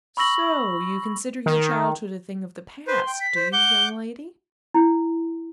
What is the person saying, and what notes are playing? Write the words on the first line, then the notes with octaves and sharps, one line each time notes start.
"So you consider your childhood a thing of the past, do you, young lady?"
B5 C#6 E6 A#6 F#7
D#3
B4 C5 C6
G5
B6
C5
F#5 D6 G6 G7
E4